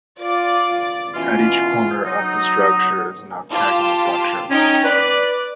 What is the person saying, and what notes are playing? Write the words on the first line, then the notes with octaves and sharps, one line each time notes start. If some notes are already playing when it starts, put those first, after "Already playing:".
At each corner of the structure is an octagonal buttress.
F4 D5
B2 E3 C#4 F4
F#3 D#4
F4 G4 A5
C#4 D#4 G5
B4 D5